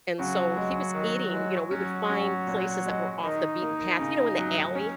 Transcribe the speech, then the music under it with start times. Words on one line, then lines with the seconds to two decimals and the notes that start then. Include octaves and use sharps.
And so he was eating you know, we would find places that were off the beaten path, you know, in the alley?
0.19 C#3 F#3 F#4
0.56 G#3
0.94 D#3
1.33 G#3
1.71 F#3 C#4 F#4
2.10 C#4
2.47 A#2
2.86 G#3
3.23 D#3 D#4
3.62 A#3
3.99 C#3
4.38 F#3
4.75 C#4